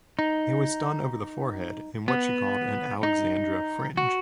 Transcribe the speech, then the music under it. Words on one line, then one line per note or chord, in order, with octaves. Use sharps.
It was done over the forehead in what she called an Alexandra fringe.
D#4
B3
D#4
F#4